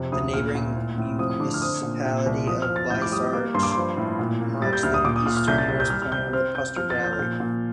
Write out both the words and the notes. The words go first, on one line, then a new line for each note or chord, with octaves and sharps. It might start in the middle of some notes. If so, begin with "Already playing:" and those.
The neighbouring municipality of Leisach marks the easternmost point of the Puster Valley.
Already playing: F2 C3
D2 D#6
A#2 F6
A#2
A2
A2
F3 D#6
D#6
D3 D6
F6
C4 D#6
A#2
A#2
C2
F3 D#6
F6
F3
A6
A2 G6
D6
G3 D#6
A#3 D6
G2 C6
D6
C6
F3
A2
A#2
A#3
G3 A6
G6
D2 F6
D#6
A#2 D6
D#6
A#2 F6
F6
C2 G6
A6
G3 G6
G6
G3 F6
F6
C3 G6
C4 F6
C4 G6
F3 F6
A6
F3
G6
F6
A#2 G6
A#2